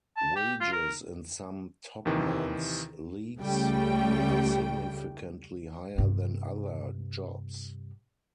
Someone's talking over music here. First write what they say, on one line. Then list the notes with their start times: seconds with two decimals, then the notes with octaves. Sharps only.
Wages in some top men's leagues are significantly higher than other jobs.
0.17 A5
0.36 G4
0.60 F4
0.73 A#4
2.05 D#2 C3 D#3 E3
3.40 C#2 C#3 G3 A3 G5
5.98 G2 C3